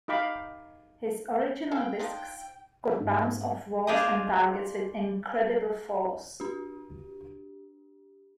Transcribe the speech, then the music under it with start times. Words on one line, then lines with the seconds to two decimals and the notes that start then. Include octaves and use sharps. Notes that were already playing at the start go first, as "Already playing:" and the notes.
His original discs could bounce off walls and targets with incredible force.
0.08 D#4 G4 F5 B5 D6
1.71 A4 C5 F5 G5
2.00 F3 D4 D#4
3.00 G#2
3.87 D4 F4 G4 G#4 C5 D#5
6.40 D4 G4